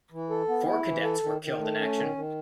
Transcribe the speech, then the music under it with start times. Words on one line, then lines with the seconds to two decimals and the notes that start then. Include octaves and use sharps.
Four cadets were killed in action.
0.12 E3
0.30 A4
0.48 B3
0.67 E4
0.86 E3
1.04 A4
1.23 D#3
1.41 D#3
1.60 A3
1.78 C#4
1.97 D#3
2.15 D#3